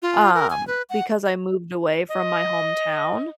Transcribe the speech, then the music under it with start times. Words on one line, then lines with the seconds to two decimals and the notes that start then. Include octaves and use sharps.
um, because I moved away from my hometown,
0.02 F4
0.34 A#4
0.50 G#5
0.67 B4
0.90 F#5
2.10 D#5